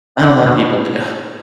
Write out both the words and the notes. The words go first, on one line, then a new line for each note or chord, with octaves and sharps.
not a lot of people do.
D3
B2